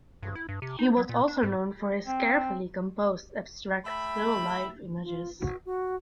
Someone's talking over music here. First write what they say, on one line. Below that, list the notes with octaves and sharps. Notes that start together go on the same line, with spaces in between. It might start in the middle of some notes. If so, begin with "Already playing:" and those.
He was also known for his carefully composed abstract still life images.
G2
E4
G2
C3
D#4
F#3
A#2
D4
G#2
C4
A3 E5 G5 B5
F4
F#4
F#4